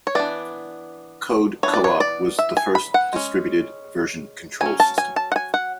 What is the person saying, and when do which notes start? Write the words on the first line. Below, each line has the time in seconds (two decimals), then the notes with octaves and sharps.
Code Co-op was the first distributed version control system.
0.07 C#5
0.15 E3 B3 D4 D5
1.63 E3 B3 D4 C#5
1.73 D5
1.84 C#5
2.00 D5
2.39 E5
2.57 G#5
2.75 B5
2.94 F#5
3.13 G#3 C#4
4.61 F#3 C#4 G#5
4.80 A5
4.98 G#5
5.16 A5
5.32 F#5
5.36 G#5
5.54 F#5